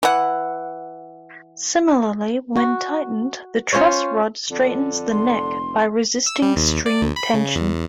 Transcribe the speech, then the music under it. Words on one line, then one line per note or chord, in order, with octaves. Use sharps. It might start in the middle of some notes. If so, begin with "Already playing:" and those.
Similarly, when tightened the truss rod straightens the neck by resisting string tension.
E3 F#5
F#4
C#4 F4 C5 C#5
F2 D3
F1 C6
E6
G3
D#2
D5
D2
B5
C#3
E2